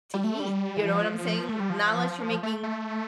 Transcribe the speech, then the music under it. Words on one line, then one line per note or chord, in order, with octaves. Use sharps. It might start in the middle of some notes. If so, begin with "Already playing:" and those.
to eat? You know what I'm saying? N not unless you're making,
G3
A3
G3
E3
F3
F3
A3
G3
F3
A3
A3